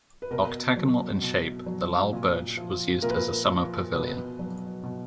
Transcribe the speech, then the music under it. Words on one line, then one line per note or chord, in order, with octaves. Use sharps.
Octagonal in shape, the Lal Burj was used as a summer pavilion.
B4
B2 A#4
F#3
B2
F#3
A#2
F3
A#2 A#4
B4
A#4
F3
B2 B4
F#3
B2